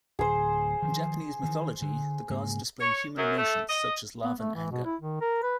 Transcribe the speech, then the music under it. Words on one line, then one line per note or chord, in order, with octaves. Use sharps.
In Japanese mythology, the gods display human emotions, such as love and anger.
D1 G#4 C5
D#3 F3
D#3 E3
D3
G#2 C#3 A#3
C#5
F#2
A3
D#5
B3
A3
E3
B2
E4
D#3
A#4
B4